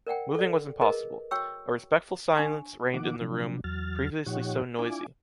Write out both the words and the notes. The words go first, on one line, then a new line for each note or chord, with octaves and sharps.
Moving was impossible: a respectful silence reigned in the room, previously so noisy.
A#4 D5 F#5 G5
A4 D5
G#4 A#4 B4 D#5
F#4 C#5 G5 C#6 E6
D4 G#5 C#6
D#3 F3 A#3 D#4 F#5 D6
C3 F3 F#3 D4
E2 F#3 F6 A6
A#2 F3 D#4 G4 C#5 F#5
D4 E4 F4 G#5 D6